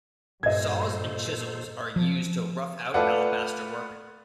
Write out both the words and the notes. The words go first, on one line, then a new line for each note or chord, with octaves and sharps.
Saws and chisels are used to rough out alabaster work.
G2 A#2 A4 C5 D#5 G#6
F3
A3 F4 A4 B4 D5 F#5